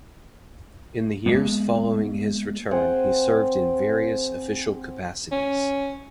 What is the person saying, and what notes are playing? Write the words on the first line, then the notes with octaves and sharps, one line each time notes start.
In the years following his return he served in various official capacities.
G#3 A#3 B3
C4 G#4 F#5
C#4